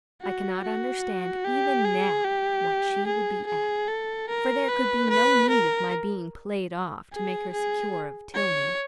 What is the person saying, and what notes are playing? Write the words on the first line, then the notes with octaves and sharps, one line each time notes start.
I cannot understand even now what she would be at, for there could be no need of my being played off to make her secure of Tilney.
F#4
F#4
G4
G#4
G4
G#4
G#4
A4
A#4
B4
B4
A#4
G#4
G#4
C#5